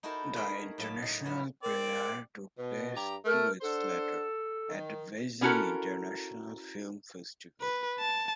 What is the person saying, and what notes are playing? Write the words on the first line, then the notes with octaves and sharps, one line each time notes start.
The international premiere took place two weeks later at the Beijing International Film Festival.
D#4 E4 F#4 A4 A#4 C5
A3 G#4 A#4 B5 C6
A2 C#3 F#3 E5 A5
D#4
F#3 B3 C#4 E5
C4 A#4 D5
B2
G2 G4 A#5
A3 A#4
D4 A4 C5 F#5
D#3
B3 C#4 E4 F#4 A4 A#4
B4
A5